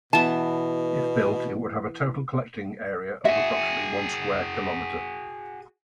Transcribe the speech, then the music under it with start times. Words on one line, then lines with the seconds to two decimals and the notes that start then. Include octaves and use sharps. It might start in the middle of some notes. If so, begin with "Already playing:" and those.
If built, it would have a total collecting area of approximately one square kilometre.
0.13 B2 E3 B3 A5
3.25 F#4 G#4 E5